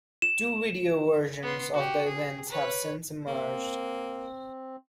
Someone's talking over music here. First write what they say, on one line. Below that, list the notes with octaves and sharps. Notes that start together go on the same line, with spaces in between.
Two video versions of the events have since emerged.
E7
B3 C6
F#4 G4
G#4
B4 C#5
A#3 C4